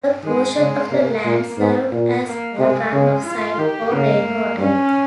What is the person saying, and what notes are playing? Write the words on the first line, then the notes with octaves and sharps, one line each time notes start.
A portion of the land served as a run-off site for rainwater.
D#3 G#3
C#3 G#3
C3 A#3
A#2
G#2
A#2
A#3
C3 G#3
C#3
F4
D#3 G4
C#3 A#3
G2 C#4